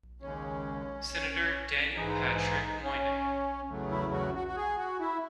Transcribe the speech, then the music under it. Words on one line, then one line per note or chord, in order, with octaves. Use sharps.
Senator Daniel Patrick Moynihan.
D#2 C#3 G#3 C#4
G#2 E3 G#3 D#4
D#4
C#4
E2 C#3 F#3 A3
E4
F#4
F#4
F#4
G#4
F#4
E4